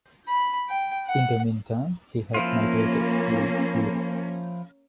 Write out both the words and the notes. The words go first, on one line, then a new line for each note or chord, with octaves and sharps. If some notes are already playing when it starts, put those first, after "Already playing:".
In the meantime, he had migrated to Europe.
B5
G5
F#5
F3 A#3 C#4 E4 F4